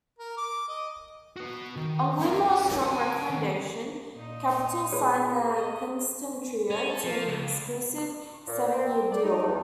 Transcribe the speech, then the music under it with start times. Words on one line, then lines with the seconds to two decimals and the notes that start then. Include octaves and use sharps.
On Gilmore's strong recommendation, Capitol signed the Kingston Trio to an exclusive seven-year deal.
0.18 A#4
0.37 D6
0.68 D#5
1.36 F#4 B4
1.76 D#3
2.20 C#4 A#4
2.82 F#5 A5
3.29 D3 D#3
4.13 A#2 D#4
4.92 G#4 B4 C#5
5.52 B3 A4 D#5
6.70 C#4
6.89 A4
7.04 F3
7.27 C#2
8.48 A#2
8.71 C4
9.12 D5
9.24 D#4
9.47 E2